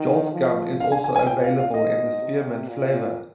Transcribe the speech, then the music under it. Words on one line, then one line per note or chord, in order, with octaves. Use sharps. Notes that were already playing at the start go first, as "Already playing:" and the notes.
Jolt gum is also available in a spearmint flavour.
Already playing: D#3
F3
D3 F5
G#5
G#5
G#5
A#2 G5
F5
F5
G#2 D#5
C3
A#2